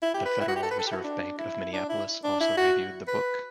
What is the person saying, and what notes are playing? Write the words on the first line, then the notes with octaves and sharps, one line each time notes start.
The Federal Reserve Bank of Minneapolis also reviewed the book.
E4
G4
B4
E4
F#4
G4
A4
B4
A4
G4
E4
F#4
D4
E4
D4
E4
D4
E4
F#4
B4